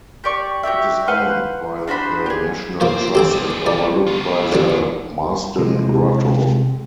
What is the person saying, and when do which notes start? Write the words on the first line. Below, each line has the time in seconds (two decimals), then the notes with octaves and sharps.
It is owned by the National Trust and overlooked by the Marsden Grotto.
0.24 G4 D5 C#6
0.63 F#4 G4 D5 E5
1.08 B4 C5 F5 F#5
1.87 D4 F#4 C5 B5
2.26 G4 G#4
2.81 F3 A#3 C4 C5
3.15 G4 A4 G5
3.32 G3 G#4
3.66 D5
4.07 B3 F4
4.52 D3 G3
5.59 C3 G#3